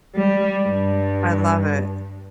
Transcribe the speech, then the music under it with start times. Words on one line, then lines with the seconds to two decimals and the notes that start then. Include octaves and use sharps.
I love it.
0.15 G3
0.66 G2